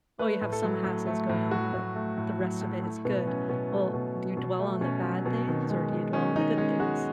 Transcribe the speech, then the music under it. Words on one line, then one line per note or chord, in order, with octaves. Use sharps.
oh, you have some hassles going on, but the rest of it is good. Well, do you dwell on the bad things or do you dwell on the good things?
A3 B4
A2
A4
F#3
A2
A3
A2
F#3 F#4
A2
A3
A2
F#3
A2
A3 E4
B2 B3
F#3 C#4
B2 B3
A3
B2
F#3
B2
A3
B2 C#4
F#3
B2
D#3
G#3
G#3
D#3 C#4
D#3 D#4
G#3 C#4
G#3 F#4